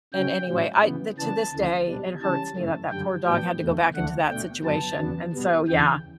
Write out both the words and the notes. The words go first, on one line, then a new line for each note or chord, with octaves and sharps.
And any way, I to this day, it hurts me that that poor dog had to go back into that situation, and so, yeah,
C#3 F#3 C#4 G5
A2 F#3 C#4
C#3 E3 B3
C#3 E3 B3 D4 A5
D2 C#3 E3 A3
B2 G3 D4
C#3 E3 G3 C#4 A5
F#2 C#3 E3 A3
F#2 D3 G3 G5
A2 F#3 B3 D4 G5
E2 B2 A3
D2 D3 A3 D4 F#5
B2 A3 D4 G5
F#2 D3 F#3 B3 A5
E2 C#3 F#3 B3 D4
B2 G3 B3
E2 C#3 E3 G5